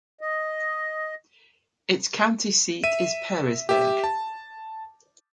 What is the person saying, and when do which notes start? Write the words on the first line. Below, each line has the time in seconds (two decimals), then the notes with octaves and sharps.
Its county seat is Pearisburg.
0.21 D#5
2.84 E5 D#7
3.69 G4 E5
4.04 A5